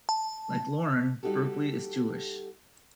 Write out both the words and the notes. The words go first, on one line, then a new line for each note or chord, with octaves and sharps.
Like Lauren, Berkley is Jewish.
A5
G3 D#4 F#4 G4 A4